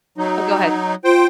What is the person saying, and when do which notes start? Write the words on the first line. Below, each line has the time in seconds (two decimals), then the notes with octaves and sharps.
Oh, go ahead.
0.18 F#3 D#4
1.04 F4 C5 G5